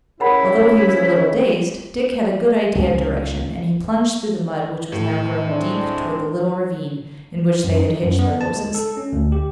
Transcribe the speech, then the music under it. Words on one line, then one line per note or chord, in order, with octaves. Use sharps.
Although he was a little dazed, Dick had a good idea of direction and he plunged through the mud which was now growing deep toward the little ravine in which they had hitched their horses.
C#3 E4 A#4 F#5 B5
C#2
A2
G#3 C4 D4
F#2
D#4
F#2
B3
A5
G#3
A4
C#4
D2
G4